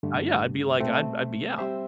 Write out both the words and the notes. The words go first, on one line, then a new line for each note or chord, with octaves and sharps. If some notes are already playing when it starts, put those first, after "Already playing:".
Uh, yeah, I'd be like, "I'd I'd be out,"
G2 D3 A3
B2 A3 C4
G3 C4 G4 C5 E5